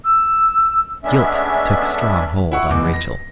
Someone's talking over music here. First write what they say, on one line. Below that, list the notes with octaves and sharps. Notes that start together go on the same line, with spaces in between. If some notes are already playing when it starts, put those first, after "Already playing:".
Guilt took strong hold on Rachel.
E6
G#3 A3 B3 C#4 D4 E5
E4 F#5 C#6
F1 E2 D6
A#6